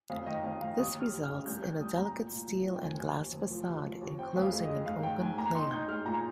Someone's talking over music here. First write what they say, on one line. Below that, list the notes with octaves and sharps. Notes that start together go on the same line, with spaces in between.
This results in a delicate steel and glass facade enclosing an open plane.
F2 F5
D#3 D#5
F2 F5
D#3 F5
D#2 D#6
D#2 F6
D#2
F6
C#3
C2 G6
G3 G6
C2 D#6
C2 A#5
A#2
A#2
F3
F3
G5
F1 G#5
D#2
D#2
F1
F3
D#2
F3
D#2
C4 G5
F2
F5
G#3
D#5
G#3
G#2 F5
D#3 G5
G#2 G#5
A#3 A#5
D#4 C6
D#4 G6
G#3 F6
A#2 A#5